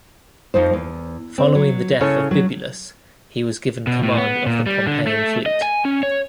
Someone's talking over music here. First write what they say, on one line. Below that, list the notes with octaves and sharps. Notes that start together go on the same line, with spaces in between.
Following the death of Bibulus he was given command of the Pompeian fleet.
F2 F3 D#4 C5
E2
C4
F#3
C#3 C#4 E4 A4 C#5
F#3
B2
A2
B3
A#2
G3
D3
A3
D#5
G#5
C#4
C#5